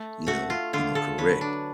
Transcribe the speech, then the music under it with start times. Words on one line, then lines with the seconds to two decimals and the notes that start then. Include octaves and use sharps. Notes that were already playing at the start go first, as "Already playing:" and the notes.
you know you know, correct.
Already playing: A3
0.27 A3 F#4
0.50 F4
0.73 D3 F4
0.95 A4
1.18 F#3 B4
1.41 D4